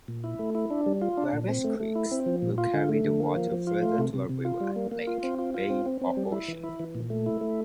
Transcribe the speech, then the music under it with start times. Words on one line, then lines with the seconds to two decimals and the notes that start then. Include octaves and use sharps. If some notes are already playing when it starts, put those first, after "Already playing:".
Various creeks will carry the water further to a river, lake, bay, or ocean.
0.08 A#2
0.24 E4
0.39 A3
0.55 E4
0.70 D4
0.86 G3
1.02 F4
1.17 D4
1.33 A#2
1.48 C4
1.64 A3
1.80 A3
1.95 E4
2.11 C4
2.26 F3
2.42 A#2
2.58 F4
2.74 D3
2.89 A3
3.04 D3
3.20 A#3
3.36 F3
3.52 F3
3.67 F4
3.83 A3
3.98 C3
4.14 C3
4.29 C3
4.45 F4
4.61 G3
4.76 A#3
4.91 A#3
5.07 F4
5.23 C4
5.39 F4
5.54 F4
5.70 C4
5.86 C4
6.01 C4
6.17 G3
6.32 E4
6.48 E3
6.64 E4
6.80 E3
6.95 A#2
7.10 A3
7.26 E4
7.41 A3